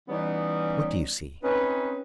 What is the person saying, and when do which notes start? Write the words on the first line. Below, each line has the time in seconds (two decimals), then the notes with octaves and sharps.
"What do you see?"
0.09 E3 G3 B3 C#4 D#4
1.43 C4 C#4 D#4 B4